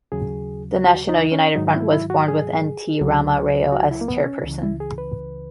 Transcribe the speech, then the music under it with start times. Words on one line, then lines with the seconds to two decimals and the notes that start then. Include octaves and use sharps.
The national united front was formed with N. T. Rama Rao as chairperson.
0.12 D#2 C#3 F#3 G#4
0.84 F#4
1.09 D#4
1.32 C#4
1.56 G#2 D#3 F#3 D#4
1.67 D#4
1.74 E4
1.92 E4
2.10 F#4
2.28 G#4
3.01 C#2 C#3 F#3
3.72 F#4
3.91 E4
4.01 A#3
4.08 B3
4.26 C#4
4.44 C#2 C#3 E3
4.63 E4
4.80 G#4
4.98 B4